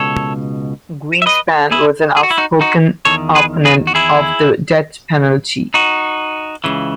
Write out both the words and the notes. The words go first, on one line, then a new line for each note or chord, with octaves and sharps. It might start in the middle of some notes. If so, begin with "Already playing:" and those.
Greenspan was an outspoken opponent of the death penalty.
Already playing: C#2 B2 A4 C#5
E5
B4 D#5
E4 G#4
G#4
F#4
E4
D#4 F#4
D#4 F#4
E2 D#3 A4 C#5
G#4 B4
G#4 B4
F#4
E4 G#4
D#4 F#4
C#2 C#3 E3